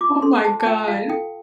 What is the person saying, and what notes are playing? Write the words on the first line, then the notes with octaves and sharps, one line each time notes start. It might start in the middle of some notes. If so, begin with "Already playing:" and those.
Oh my god.
F4 D6
A4 C6
C5 A5
A5
F4 G5
F4 F5
A4 G5